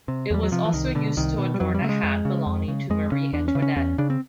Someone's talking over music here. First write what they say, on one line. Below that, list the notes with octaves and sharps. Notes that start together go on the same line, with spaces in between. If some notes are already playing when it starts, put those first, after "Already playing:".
It was also used to adorn a hat belonging to Marie Antoinette.
C3
E2 G3
F#3
C3 F3
E3
C2 D#3
B2 D3
C2 D#3
B2
G3
F2 F#3
G3
C#3 A3
G#3
F2
C#3
F2
C#3
F2 G#3
C#3 C#4
E2 D4
C#4
C#3
C#4
E2 C#4
C#3 D4
C4